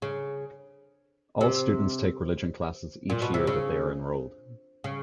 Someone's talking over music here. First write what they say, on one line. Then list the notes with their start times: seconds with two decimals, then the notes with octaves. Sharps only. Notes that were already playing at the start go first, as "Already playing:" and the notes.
All students take religion classes each year that they are enrolled.
0.02 C#3
1.41 C3
3.10 A#2
3.22 B2
3.34 C3
3.47 C#3
4.84 C#3